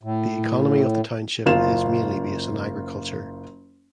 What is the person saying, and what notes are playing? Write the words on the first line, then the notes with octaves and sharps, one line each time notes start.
The economy of the township is mainly based on agriculture.
A2
F#1 F4 E7